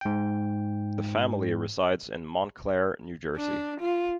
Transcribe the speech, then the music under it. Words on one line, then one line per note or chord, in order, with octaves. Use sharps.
The family resides in Montclair, New Jersey.
G#2 G5
D4
F4